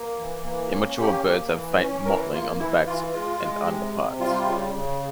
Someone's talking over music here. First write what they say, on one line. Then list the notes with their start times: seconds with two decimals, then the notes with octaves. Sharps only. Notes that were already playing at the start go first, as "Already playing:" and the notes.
Immature birds have faint mottling on the back and underparts.
Already playing: A#3
0.18 E3
0.44 A#3
0.71 C#4
0.98 A#3 G4
1.25 A#3
1.52 E3
1.79 C#4
2.05 E3 A#4
2.32 A#3 F4
2.59 E3 E4
2.86 E3 F4
3.12 G#3 F4
3.40 G#3
3.66 C3
3.93 C3
4.20 G3 F4
4.47 C#3
4.74 C#3